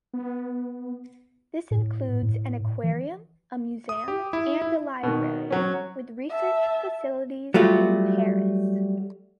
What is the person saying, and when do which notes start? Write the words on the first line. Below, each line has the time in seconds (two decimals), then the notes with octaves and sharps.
This includes an aquarium, a museum, and a library, with research facilities in Paris.
0.14 B3
1.71 A2
2.23 A2
2.84 E3
3.89 D#6
4.08 G4
4.33 E4
4.62 E4
5.03 B2 D#3
5.50 F#3 C#4
6.30 E5 A5
7.54 F#3 G3 A3 F4 F#4